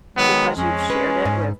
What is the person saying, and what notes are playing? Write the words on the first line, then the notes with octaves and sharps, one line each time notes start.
because you've shared it with
D#3 F#3 G#3 B3
F2 G#3 C#4
B4
G#2